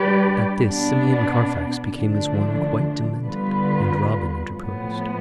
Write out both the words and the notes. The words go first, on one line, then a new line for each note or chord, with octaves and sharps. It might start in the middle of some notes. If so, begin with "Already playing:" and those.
At this Simeon Carfax became as one quite demented, and Robin interposed.
Already playing: G3 D4 G4 B4 D5
B2 B3 D4
D3 F3 A3 D4
D3 G3 B3 F4 B4
A2 F3 B3